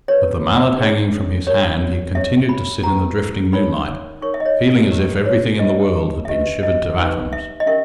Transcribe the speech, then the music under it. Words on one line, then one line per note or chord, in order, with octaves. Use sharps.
With the mallet hanging from his hand he continued to sit in the drifting moonlight, feeling as if everything in the world had been shivered to atoms.
G4 B4 C#5
C#4 G#4 C#5
G4 A#4 C#5
G4 C#5 E5
B5
C#4 G4 B4 A#5
D#4 A#4 C#5 B5
D#4 A#4 C#5 C#6
E5
D#5
C#5
E4 G4 B4
C#5
G4 B4 D#5
E5
G4 B4 D#5
D#5
D#4 G4 B4
E5
D#5
C#4 G4 A#4 E5